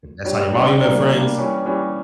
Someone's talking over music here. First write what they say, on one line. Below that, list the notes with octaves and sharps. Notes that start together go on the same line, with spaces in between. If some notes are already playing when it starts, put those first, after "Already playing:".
and that's how your mommy met friends,
G3 D4 G4 C#5
G3 D4 G4 C#5
G3 A#3 D4
G3 A#3 D4
E3 G3 C#4 G4 C#5
E3 G3 C#4 G4 C#5